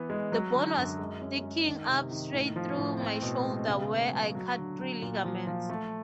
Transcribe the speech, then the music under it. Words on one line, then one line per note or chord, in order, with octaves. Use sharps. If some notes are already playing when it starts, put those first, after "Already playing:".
The bone was sticking up straight through my shoulder where I cut three ligaments.
Already playing: E3 B3
G#3
F#3
D3
F#2
G#3
C#4
G#3
D#3
C3
D#3
A2
F3
A2
C4
B2
G#3
C#3
A3
F#3
F#3
D3
F#3
A#2
F3
F3
A3